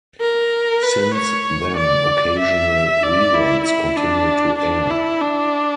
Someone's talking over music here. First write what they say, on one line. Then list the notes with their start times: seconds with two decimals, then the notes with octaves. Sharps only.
Since then, occasional reruns continue to air.
0.20 A#4
0.82 B4
1.15 C#5
1.77 D5
2.39 E5
3.02 D5
3.34 E4
3.65 E4
3.97 D4
4.59 D4
4.90 E4
5.21 D4